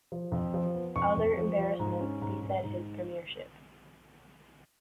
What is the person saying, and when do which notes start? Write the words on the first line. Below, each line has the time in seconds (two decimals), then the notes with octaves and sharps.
Other embarrassments beset his premiership.
0.12 F3
0.32 F2
0.54 F3
0.74 B3
0.96 F2 C#6
1.17 F2
1.37 F3
1.59 F3
1.79 G#2
2.01 C#4
2.22 G#2
2.42 G#2
2.63 G#2